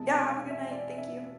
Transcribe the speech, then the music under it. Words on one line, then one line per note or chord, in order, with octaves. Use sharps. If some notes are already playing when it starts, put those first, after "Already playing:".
Yeah, have a good night. Thank you.
Already playing: E1 E2 C3 G#3 A5
G#5
F5
E5
D5
E5